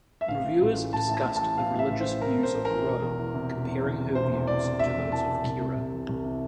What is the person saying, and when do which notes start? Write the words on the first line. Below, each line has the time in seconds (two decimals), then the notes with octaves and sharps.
Reviewers discussed the religious views of Ro, comparing her views to those of Kira.
0.21 E5
0.28 A1 F5
0.44 A2
0.61 A1
0.77 E3
0.93 A1 A5
1.09 A2
1.14 A5
1.25 A1
1.36 A5
1.41 E3
1.57 A1 F5
1.74 A2
1.79 E5
1.90 A1
2.00 C5
2.05 E3
2.22 A1 A#4
2.38 A2
2.43 C5
2.54 A1
2.65 A#4
2.70 E3
2.86 E1
3.02 E2
3.18 E3
3.34 C3
3.51 E1
3.67 E2
3.83 E3
3.99 C3
4.15 E1 C5
4.32 E2
4.47 E3 D5
4.64 C3
4.79 E1 E5
4.96 E2
5.12 E3 A5
5.28 C3
5.44 C2
5.60 C3
5.77 C2
5.93 E3
6.09 C2
6.24 C3